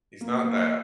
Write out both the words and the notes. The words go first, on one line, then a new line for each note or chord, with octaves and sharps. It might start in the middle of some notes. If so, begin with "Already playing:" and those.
He's not that
A#3
A#3